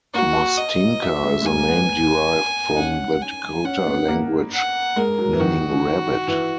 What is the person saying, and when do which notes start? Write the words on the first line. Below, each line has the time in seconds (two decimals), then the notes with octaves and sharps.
Mustinka is a name derived from the Dakota language meaning "rabbit".
0.14 A#3 F#4
0.58 D#5
1.02 F#3 E5
1.23 G#3
1.42 G#3
1.46 A#3 G#5
1.57 A#3
1.68 B3
2.70 D#4
2.77 C#4 F#5
3.21 G#5
3.64 C#4 F#5
3.87 B3
4.08 A#3
4.53 F#5
4.96 G#3 A#4
5.18 F#3
5.33 E3
5.40 D#3 F#4
6.28 E3